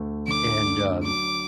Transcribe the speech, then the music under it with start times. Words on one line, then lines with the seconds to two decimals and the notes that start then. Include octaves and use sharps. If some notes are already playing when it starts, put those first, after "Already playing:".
and, um,
Already playing: D2 A3
0.28 D3 D6
0.66 D4
1.03 F#3 D6